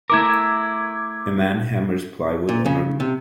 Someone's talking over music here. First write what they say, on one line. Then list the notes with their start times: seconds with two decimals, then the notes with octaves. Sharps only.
A man hammers plywood on a roof.
0.10 A3 E4 A#4 D6 G#6
2.49 A#2
2.66 C#3
3.00 C3